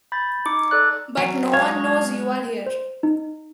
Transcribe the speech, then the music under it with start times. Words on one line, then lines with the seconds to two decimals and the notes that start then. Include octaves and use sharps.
But no one knows you are here.
0.12 B5 G6 A6
0.46 D#4 D6 C#7
0.71 A4 D5 F#6
1.17 F#3
1.53 G#3 C#5 F5
2.66 C5
3.03 D#4